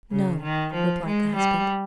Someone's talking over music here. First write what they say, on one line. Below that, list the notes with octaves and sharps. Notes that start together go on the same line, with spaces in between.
"No," replied the husband.
C#3
D#3
F3
G#3
G3